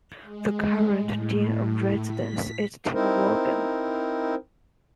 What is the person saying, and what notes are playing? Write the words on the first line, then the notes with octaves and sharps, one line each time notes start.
The current Dean of Residence is Tim Worgan.
G#3
A2
B6
C4 D#4 E4 A#4 C5